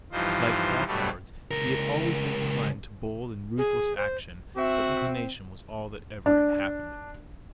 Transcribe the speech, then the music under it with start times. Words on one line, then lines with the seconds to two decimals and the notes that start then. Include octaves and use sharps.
Like all cowards, he had always been inclined to bold and ruthless action; but inclination was all that ever had happened.
0.12 G2 E3 F3 D#4 F4 C5
0.86 G2 B2 F#3 G3 A3
1.51 C#2 A#4
3.58 G#4
3.97 C5
4.57 C4 F#4 E5
6.26 D4